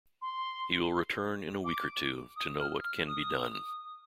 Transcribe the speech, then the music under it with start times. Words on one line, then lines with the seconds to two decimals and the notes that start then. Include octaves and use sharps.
He will return in a week or two, to know what can be done.
0.22 C6
1.64 D6
2.36 D#6
2.60 F6
2.84 F6
3.07 D#6